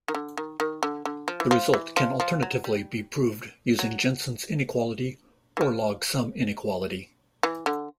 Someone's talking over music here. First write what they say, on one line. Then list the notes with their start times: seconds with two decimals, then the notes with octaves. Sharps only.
The result can alternatively be proved using Jensen's inequality or log sum inequality.
0.08 D#3
0.14 D3
0.37 D#3
0.60 D#3
0.83 D3
1.05 D3
1.28 F3
1.40 E3
1.51 F3
1.74 E3
1.97 F3
2.20 F3
2.43 F#3
2.64 G3
3.79 F#3
5.57 E3
5.61 F3
7.43 E3
7.66 D3